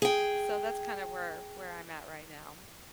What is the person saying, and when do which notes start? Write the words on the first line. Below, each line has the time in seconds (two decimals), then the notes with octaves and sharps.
So, that's kinda where where I'm at right now.
0.02 G#4 G5